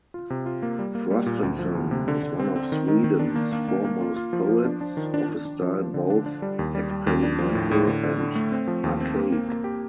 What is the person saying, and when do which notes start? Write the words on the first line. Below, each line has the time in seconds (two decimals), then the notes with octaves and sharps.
Frostenson is one of Sweden's foremost poets, of a style both experimental and archaic.
0.14 F4
0.30 C3
0.46 F4
0.63 A#3
0.79 G3
0.95 A#3
1.10 G3
1.26 A#2
1.43 D2
1.59 F3
1.75 D2
1.91 C3
2.08 D3
2.23 D3
2.39 C4
2.56 C4
2.72 D#3
2.88 D#3
3.04 D#3
3.19 D4
3.36 A#3
3.52 A#3
3.68 A#3
3.85 A#3
4.01 F4
4.16 F4
4.33 F3
4.49 F3
4.65 D4
4.81 D4
4.97 D#3
5.14 D4
5.29 D4
5.45 D4
5.61 F3
5.77 F3
5.94 D3
6.10 D4
6.26 D4
6.42 G3
6.59 D#2
6.75 G3
6.91 G3
7.07 D#2
7.23 D4
7.39 F3
7.55 A2
7.71 A2
7.87 D3
8.03 D3
8.19 D3
8.35 A3
8.52 C4
8.68 F3
8.84 D#2
9.00 C4
9.16 A#3
9.32 A#3
9.49 A#3
9.64 G4